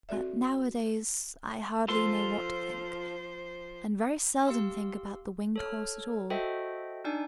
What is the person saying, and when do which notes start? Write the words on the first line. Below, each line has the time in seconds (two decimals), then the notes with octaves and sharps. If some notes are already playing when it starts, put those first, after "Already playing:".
But, nowadays, I hardly know what to think, and very seldom think about the winged horse at all.
0.09 C4 F#4 A4 D5 E5
1.88 F3 F4 A4 C5 C6
4.47 G4 F5 C6 E6
5.56 A4 C#5 F6
6.30 F#4 A4 C5 D#5 E5 G5
7.04 D4 D#4 D5 G#5